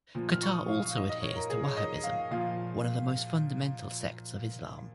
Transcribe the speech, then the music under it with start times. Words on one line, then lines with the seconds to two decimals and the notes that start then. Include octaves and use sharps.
Qatar also adheres to Wahhabism, one of the most fundamental sects of Islam.
0.15 A#2 F3
0.32 F6
0.43 C#6
0.51 D#6
0.68 F5
0.82 F5
0.96 D#5
1.09 D#5
1.22 C#5
1.36 A#4
1.50 G#4
1.64 C#5
1.77 D#5
2.04 F5
2.31 A#2 F3 F5